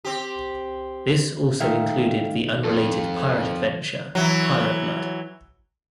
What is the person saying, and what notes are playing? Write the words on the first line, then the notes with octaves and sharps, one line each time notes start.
This also included the unrelated pirate adventure Pirate Blood.
C4 G4
D#3 A3 A#4 E5 F5 G5
F2 A4
E3 F#3